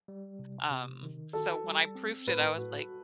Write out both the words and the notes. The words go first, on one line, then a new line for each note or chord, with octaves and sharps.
um, so when I proofed it, I was like,
G3
C3
C3
D#3
F#4 A4
G3
C4
A2 B4
F#4